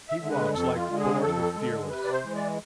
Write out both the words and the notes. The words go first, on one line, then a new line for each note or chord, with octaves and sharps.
"He walks like Thor the Fearless."
E5
D3 G#3
B4
F2 A4
F4
D3 G#3
G#4
F2 A4
D3 G#3
C3 B4
D5
C5
E3 G#3
D5